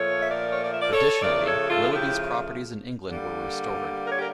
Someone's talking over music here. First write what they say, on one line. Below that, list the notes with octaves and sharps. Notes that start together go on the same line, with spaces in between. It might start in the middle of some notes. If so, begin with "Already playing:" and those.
Additionally, Willoughby's properties in England were restored.
Already playing: A#2 F3 A3 A4 C#5
E5
A#4 D5
C#5
A#4 D5
E5
D5
A4 C#5
C#3 F3 A3 A#4 D5
A4 C#5
F4 A4
E4 G4
D3 G3 A#3
A#4
C#5
G4 A#4